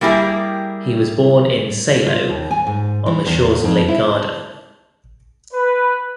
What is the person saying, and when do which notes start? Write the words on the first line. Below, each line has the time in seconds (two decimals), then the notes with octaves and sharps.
He was born in Salo on the shores of Lake Garda.
0.01 G3 A#3 E4 G4 G#4
2.06 F4
2.29 D#2
2.51 G#5
2.67 G#2
3.06 E3
3.27 E2
3.64 F2
3.88 E4
4.07 A5
5.54 B4